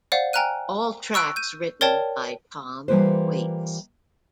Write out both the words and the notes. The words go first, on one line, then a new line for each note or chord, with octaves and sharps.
All tracks written by Tom Waits.
C5 D5 F5 F#5
G5 G#5 A#5 F6 F#6 D#7
C#6 E6 F#6 D7
G6 D#7
A#4 C#5 D5 G5 A5
E3 G3 A#3 F4 B4 C5